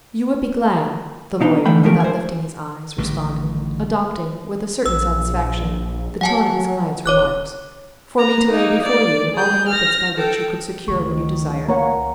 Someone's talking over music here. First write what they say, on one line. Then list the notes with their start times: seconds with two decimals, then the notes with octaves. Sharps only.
"You would be glad," the lawyer, without lifting his eyes, responded, adopting, with a certain satisfaction, the tone of his client's remarks, "for me to lay before you all the methods by which you could secure what you desire?"
1.41 B2 D4 D#4
1.65 D3 E3 A3 G5 B5
1.83 B2 E3 F3 G#3 A3 A#4
2.00 C5 G#5
2.98 A1 D3 D#3 G3
4.86 A#1 E6
6.21 F#3 F#5 G#5 A5
7.06 D#1 C#5 D6 F#6
8.19 B4 A#5
8.49 A#3 D#4
8.85 D5
9.33 G#4 G6
9.69 F6 A#6
10.18 A4 G5
10.88 C#2 D#3 A3 C#6
11.69 A#3 C#5 F#5 A#5